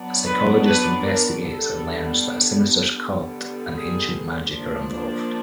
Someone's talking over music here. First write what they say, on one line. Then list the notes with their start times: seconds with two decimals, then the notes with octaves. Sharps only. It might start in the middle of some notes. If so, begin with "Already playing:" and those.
The psychologist investigates and learns that a sinister cult and ancient magic are involved.
Already playing: F#3 B3 D4
0.27 B4
0.65 B4
1.03 A#4
1.41 G3 B3 D4 A4
2.95 D3 G3 B3
3.72 G#4
4.48 F3 A#3 D4